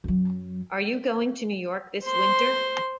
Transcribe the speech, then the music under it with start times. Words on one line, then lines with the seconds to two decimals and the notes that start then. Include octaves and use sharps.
Are you going to New York this winter?
0.04 F#2 F#3
2.04 C5 C6